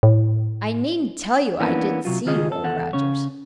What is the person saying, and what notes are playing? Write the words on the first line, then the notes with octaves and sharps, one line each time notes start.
"I needn't tell you I didn't see you, Old Rogers."
A2
E3 A#3 B3 C#4 D4
C3 F#3 F4
C#2 D#3 F4 G#4 D#5
A4
E2 A4 F#5
C#3 C#4 C#5